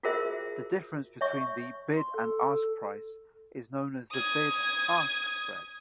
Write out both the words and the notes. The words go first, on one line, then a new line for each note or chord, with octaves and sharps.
The difference between the bid and ask price is known as the bid-ask spread.
F4 F#4 G#4 A#4 C5 E5
C#5 E5 C#6
C6
A4
D#6 G#6